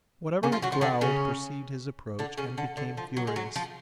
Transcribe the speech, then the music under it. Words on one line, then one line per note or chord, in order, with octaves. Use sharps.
Whatever had growled perceived his approach, and became furious.
C#3 C#4
F3 F4
F#3 F#4
F3 F4
D3 D4
C#3 C#4
D3 D4
C#3 C#4
D3
D3
F3
F#3
G#3
F#3
F3